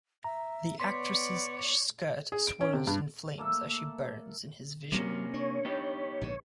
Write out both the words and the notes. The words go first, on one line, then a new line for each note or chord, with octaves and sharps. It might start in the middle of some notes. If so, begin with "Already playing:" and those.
The Actress's skirt swirls in flames as she burns in his vision.
E5 A#5
B3 C#5 D5 C6 B6
G#4
D7
C#4
C3
G2
A3 A#3 A4 E5
G2 C3 F#3 G3 A#3 C#4
D4 C#5
B3 D#4 G4
A#1 G#2 D3